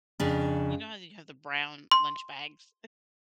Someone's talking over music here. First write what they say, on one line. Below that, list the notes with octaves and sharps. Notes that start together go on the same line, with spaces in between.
you know how you have the brown lunch bags?
F2 C#3 D4
C6